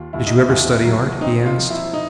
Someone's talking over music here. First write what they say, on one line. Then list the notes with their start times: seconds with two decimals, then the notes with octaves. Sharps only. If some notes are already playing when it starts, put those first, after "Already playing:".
"Did you ever study art?" he asked.
Already playing: D#2 F4
0.13 D#2 E4
0.26 D#4
0.38 E4
0.49 D#2
0.85 F#3
1.21 C4 D#4
1.46 F4
1.58 F3
1.70 E4
1.93 D#4